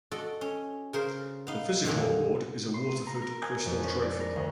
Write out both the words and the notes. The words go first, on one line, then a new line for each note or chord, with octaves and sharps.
The physical award is a Waterford crystal trophy.
F#4 A4 D5 D#5
C#4
C#3 A#4 C5
B3 D#4 F5
F2 A#2 D3 D#3 F#3
C6
D#7
A#5
A#4
G#5
F2
C#4
D5
A#4
D2